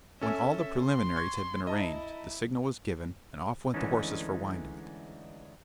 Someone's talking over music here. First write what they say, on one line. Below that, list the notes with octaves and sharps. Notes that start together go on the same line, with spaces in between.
When all the preliminaries had been arranged, the signal was given, and off went the horses for Wyandotte.
C#4 A4 E5 G#5
C6
C#6 G#6
E4 D#5 A5 A#5
D3 E3 G#3 A3 C#4 D#4